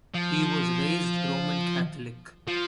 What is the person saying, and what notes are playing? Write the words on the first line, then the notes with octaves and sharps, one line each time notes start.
He was raised Roman Catholic.
F3
F3